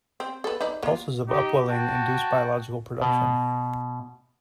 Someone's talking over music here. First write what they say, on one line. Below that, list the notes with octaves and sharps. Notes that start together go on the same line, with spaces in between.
Pulses of upwelling induce biological production.
C4
A4 B4
D#4 B4 D5
A#3 F4
D#4 G4
F#4 G5 A5
B2